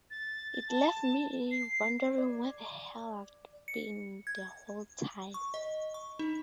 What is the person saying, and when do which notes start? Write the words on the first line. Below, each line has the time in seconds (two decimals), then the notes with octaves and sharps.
It left me wondering where the hell I'd been the whole time.
0.11 A6
0.69 A5
1.51 C7
2.18 D5
3.68 C#7
4.27 G#6
5.34 C#6
5.54 D#5
5.94 C#6
6.19 D#4